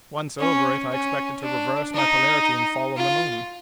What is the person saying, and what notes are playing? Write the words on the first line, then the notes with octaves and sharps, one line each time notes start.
Once over it, I expected to reverse my polarity and fall on the moon.
C#4
C#4
D4
D#4
F4